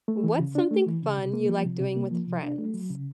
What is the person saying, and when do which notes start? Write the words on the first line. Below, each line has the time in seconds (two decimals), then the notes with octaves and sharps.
What's something fun you like doing with friends?
0.08 A3
0.24 E3
0.39 C#3
0.55 D4
0.71 A3
0.87 E3
1.02 C#3
1.17 C3
1.33 A#3
1.49 F3
1.65 C3
1.80 C3
1.96 A#3
2.11 F3
2.27 C3
2.43 D4
2.58 A3
2.74 F#3
2.90 C#3